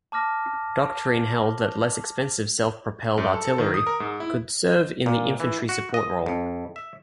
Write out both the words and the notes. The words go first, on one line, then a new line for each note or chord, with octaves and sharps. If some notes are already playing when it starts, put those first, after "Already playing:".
Doctrine held that less expensive self-propelled artillery could serve in the infantry support role.
A5 D6 F6 A#6
F#2
A4
A4
D#3
D#6
A#4
G#2
E4
A#2
E3
F#4
D#5
F2
E5